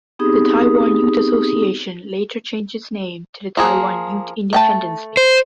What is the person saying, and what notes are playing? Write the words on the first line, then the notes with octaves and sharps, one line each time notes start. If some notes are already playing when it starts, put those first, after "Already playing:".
The Taiwan Youth Association later changed its name to the Taiwan Youth Independence League.
B3 C4 D#4 G4 G#4 D#6
F3 A#3 G#4
A3 G5 A5
C5